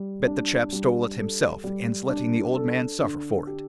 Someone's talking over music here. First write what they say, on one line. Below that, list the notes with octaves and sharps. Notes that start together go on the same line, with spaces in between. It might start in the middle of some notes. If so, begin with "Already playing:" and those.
Bet the chap stole it himself and 's letting the old man suffer for it.
Already playing: G3
D4
G3
A4
G3
D4
A4
D3
G4